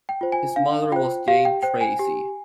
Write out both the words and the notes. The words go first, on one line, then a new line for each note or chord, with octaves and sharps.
His mother was Jane Tracy.
G5
F4 C5
G#5
D4 F5
F4 C5 G5
G4 F5
G5
C5 G5
G#5
G4